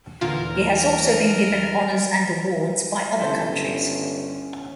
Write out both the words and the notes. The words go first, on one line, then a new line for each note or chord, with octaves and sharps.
He has also been given honours and awards by other countries.
D#2 A#2 D3 E3 F4 A#4
G1 C#4 E4 A4 C5 A5